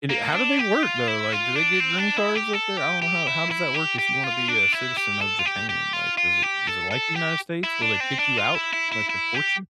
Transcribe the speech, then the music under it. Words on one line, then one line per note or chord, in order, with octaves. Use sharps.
And, eh, how do they work, though? Like, do they get green cards up there? I don't know how how does that work if you want to be a citizen of Japan, like, does it is it like the United States? Will they kick you out, like deport you?
A#3
D4
G4
F4
E4
F4
D4
C4
D4
E4
G4
A4
G4
G4
E4
E4
G4
G4
F4
D4
E4
G4
A4
F4
G4
G4
F4
F4
G4
A4
A4
G4
E4
D4
C4
D4
F4
E4
E4
E4
E4
G4